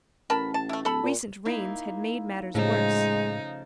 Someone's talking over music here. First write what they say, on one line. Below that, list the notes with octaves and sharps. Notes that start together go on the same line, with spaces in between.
Recent rains had made matters worse.
A1 A#4 A5 B5
A5
A3 E4
D1 A4 A5 B5
A#2
A#3 D#4 E4
A2 C#3 F3 G#3 A3 D#4